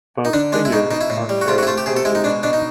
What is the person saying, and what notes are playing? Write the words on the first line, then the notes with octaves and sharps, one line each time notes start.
Both figures are carrying torches.
D#4
D3 D4
G#3 D4
E4
B2 D#4
B2 D#4
E4
A2
G3
F#4
C3 F4
F#4
E4
A3 F4
G4
C3 G#4
A4
G#3 E4
D#4
B2 D4
B2 D4
D#4